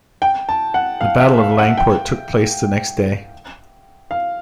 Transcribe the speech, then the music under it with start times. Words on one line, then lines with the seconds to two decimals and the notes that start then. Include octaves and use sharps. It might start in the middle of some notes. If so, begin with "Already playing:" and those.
The battle of Langport took place the next day.
0.22 G5
0.49 A5
0.74 F#5
1.01 F5
1.19 E5
1.39 F5
1.59 F#5
1.78 G5
4.11 F5